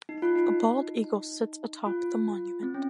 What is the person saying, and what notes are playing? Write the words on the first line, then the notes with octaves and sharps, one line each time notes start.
A bald eagle sits atop the monument.
D#4
F4
D#4
F4
C4
C#4